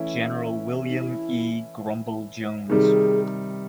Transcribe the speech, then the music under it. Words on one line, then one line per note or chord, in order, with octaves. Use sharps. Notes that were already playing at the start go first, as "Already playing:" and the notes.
General William E. "Grumble" Jones.
Already playing: E3 A3 C#4 E4
D#4
E4
C3 D#3 G3 G#4